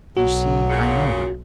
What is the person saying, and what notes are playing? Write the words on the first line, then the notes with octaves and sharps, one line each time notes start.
You see I know her.'
B1 F#3 F#4
A#2 C#3